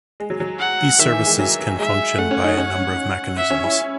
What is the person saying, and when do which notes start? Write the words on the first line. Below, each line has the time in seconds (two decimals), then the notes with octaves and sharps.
These services can function by a number of mechanisms.
0.20 G#3
0.30 F#3
0.40 F#3
0.59 F#5
0.99 D#3 E5
1.13 E3
1.26 G#3
1.39 F#3 E5
1.79 G#3 E5
2.18 A3 F#5
2.31 C#4
2.44 D#4
2.57 C#4
3.37 E5
3.50 C#4
3.64 E4